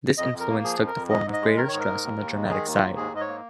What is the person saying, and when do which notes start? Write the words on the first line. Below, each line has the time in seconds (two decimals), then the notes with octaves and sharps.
This influence took the form of greater stress on the dramatic side.
0.18 F2 D#5
0.32 F2
0.40 A#4
0.49 A#3
0.64 F3 G#4
0.79 F2
0.87 A#4
0.95 F2
1.10 G#2 D#5
1.26 G#2
1.33 D#5
1.42 G#3
1.57 D#3 A#4
1.68 G#2 C#5
1.79 A#4
1.88 G#2
2.03 D#2
2.19 D#2
2.35 G#3
2.50 D#3 G#4
2.66 D#2
2.73 F4
2.81 D#2
2.96 G#2 G#4
3.12 G#2 D#5
3.20 C#5
3.28 A#3